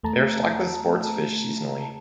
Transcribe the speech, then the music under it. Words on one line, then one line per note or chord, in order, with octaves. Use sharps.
They are stocked with sports fish seasonally.
E2 A3 A5 A#5